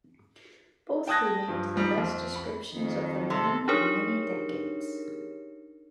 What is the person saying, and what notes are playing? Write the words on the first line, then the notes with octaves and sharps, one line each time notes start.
Both remained the best descriptions of the Moon for many decades.
G5 A5 D#6 F#6 G#6 A#6
G2 F3
F3 G3 D#4
F2
B5
F2 D#3
C3 A4
D4 D#4 G4 G#4 A#4 C#5